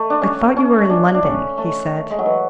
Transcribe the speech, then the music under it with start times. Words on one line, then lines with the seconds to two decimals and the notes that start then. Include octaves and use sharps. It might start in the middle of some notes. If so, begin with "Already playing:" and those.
"I thought you were in London?" he said.
Already playing: A3
0.10 D4
0.22 C#4
0.57 C#4
0.90 D4
1.14 D4
1.24 C#4
1.58 A3
2.10 G#3
2.19 F#3
2.26 E3